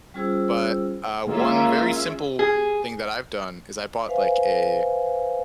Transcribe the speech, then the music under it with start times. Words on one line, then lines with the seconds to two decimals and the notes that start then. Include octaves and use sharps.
But, uh, one very simple thing that I've done cause' is I bought, like, a
0.14 G3 C#4 F4 G#4 C5 E6
1.27 G#3 A#3 C#4 F4 E5
2.39 G#4
4.06 B4 C5 E5 F5 G#5